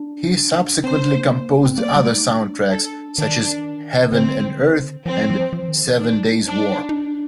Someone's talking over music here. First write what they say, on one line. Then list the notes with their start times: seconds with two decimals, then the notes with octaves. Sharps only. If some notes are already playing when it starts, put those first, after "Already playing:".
He subsequently composed other soundtracks such as "Heaven and Earth" and "Seven Days War".
Already playing: D4
0.84 C4 C5
0.99 D4
1.15 A#3
1.54 D4
1.66 C4
1.78 A#3 D5
1.96 G3
2.01 A3
2.14 D#4
2.24 D4
2.71 A4
3.18 D#3 D4
4.12 D3 C4
5.06 F3 C4
5.30 F3
5.53 F3
5.68 D#3
5.84 F3
5.99 D4 D#4
6.46 D4
6.89 D#4
6.93 D4